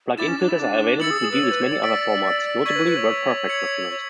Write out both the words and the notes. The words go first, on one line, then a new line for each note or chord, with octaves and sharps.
Plug-in filters are available to deal with many other formats, notably WordPerfect documents.
E4 D6 A6 E7
C#4
D4
E4
D4
E4 E6 A6 C#7 F#7
G#4
G#4
B4
C#5
B4
C#5
D5
E6 B6 D7
D5 C#6 G#6 B6 F#7
B4
B4
C#5
G#6 C#7 F#7
C#5